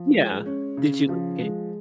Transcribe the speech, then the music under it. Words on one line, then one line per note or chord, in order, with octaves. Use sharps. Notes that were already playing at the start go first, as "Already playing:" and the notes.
Yeah. Did you like the game?
Already playing: F3
G#3
C#4
C#3
F3
G#3